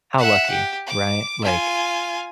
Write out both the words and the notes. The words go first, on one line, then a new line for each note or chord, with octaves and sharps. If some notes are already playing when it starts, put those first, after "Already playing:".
how lucky, right? Like,
E5 F#5
G4
D6
F4 G#5